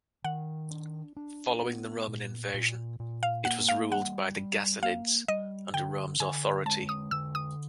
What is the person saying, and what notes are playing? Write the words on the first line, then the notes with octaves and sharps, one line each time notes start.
Following the Roman invasion, it was ruled by the Ghassanids, under Rome's authority.
D#3 F#5
D4
D4
B3
A#2
A#2
A#2
F5
A#3 F#5
F5
G3 F#5
G3
A#3 F5
G3 D#5
D3 G5
D3 G#5
G#3 A5
D#6
D3 E6
D#6